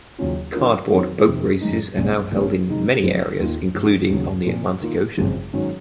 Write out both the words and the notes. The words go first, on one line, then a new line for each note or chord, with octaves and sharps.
Cardboard Boat races are now held in many areas including on the Atlantic Ocean.
D#2 C#3 F#3 C#4 F4
D#3 F#3 C#4 F4 A#4
D#3 F#3 C4 F#4 C#5
F2 C3 D#3
F#2 D#3 G#3 D#4
C2 A#2 G#3 C#4
A#1 G#2 D#3 A#3 C#4
C3 D#3 G#3 D#4
F#1 F#2 F3 C4
D#2 D#3 A#3 F4
G#2 F3 G#3
D#2 C#3 F#3
A#2 F3 C4
D#3 A#3 F4
G#1 F#2 C#3 F3
G#2 D#3 F#3 C#4 F#4